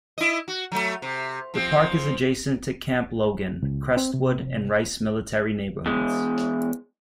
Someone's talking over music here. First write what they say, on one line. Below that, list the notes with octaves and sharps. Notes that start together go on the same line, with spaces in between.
The park is adjacent to the Camp Logan, Crestwood, and Rice Military neighborhoods.
E4 D#5
F#4
F#3 A3
C3
F3 C4
C#2
C4
C3
E2 G#3